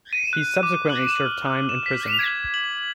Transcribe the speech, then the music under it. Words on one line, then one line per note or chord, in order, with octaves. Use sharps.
He subsequently served time in prison.
D#7
F#6
D6
F#7
F6
F#6
E7
B6
G#6
F#7